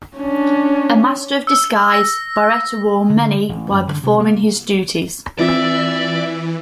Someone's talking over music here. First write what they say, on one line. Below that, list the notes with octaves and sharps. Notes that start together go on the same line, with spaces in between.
A master of disguise, Baretta wore many while performing his duties.
C#4 D4
E6
A#6
D3
A1
F#2
D3
C3
A#3
E3 C4 F4 D5 E5